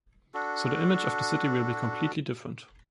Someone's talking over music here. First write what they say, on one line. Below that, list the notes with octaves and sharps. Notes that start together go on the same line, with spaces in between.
So the image of the city will be completely different.
D4 F#4 A4